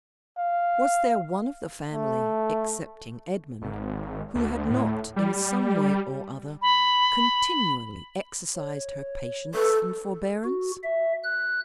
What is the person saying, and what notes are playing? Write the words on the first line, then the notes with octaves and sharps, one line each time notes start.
Was there one of the family, excepting Edmund, who had not in some way or other continually exercised her patience and forbearance?
F5
A3
G#1
D2
A2
G3
B5
C#5
A4 B4
F#4
E5
F#6